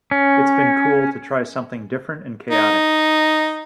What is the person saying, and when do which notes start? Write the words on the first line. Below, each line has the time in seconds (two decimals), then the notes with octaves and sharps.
It's been cool to try something different and chaotic.
0.11 C#4
2.51 D#4